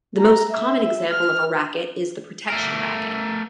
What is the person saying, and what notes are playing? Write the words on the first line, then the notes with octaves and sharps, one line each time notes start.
The most common example of a racket is the protection racket.
A#5
E5
F6
A3 A#4